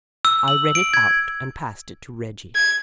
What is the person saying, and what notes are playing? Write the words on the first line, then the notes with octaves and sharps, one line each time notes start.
I read it out and passed it to Reggie.
E6
F#7
D7
G#6
G#6